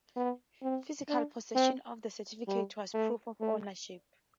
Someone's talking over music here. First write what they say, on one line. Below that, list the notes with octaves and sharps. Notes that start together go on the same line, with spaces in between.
Physical possession of the certificate was proof of ownership.
B3
C4
D4
C4
G3
A3
A3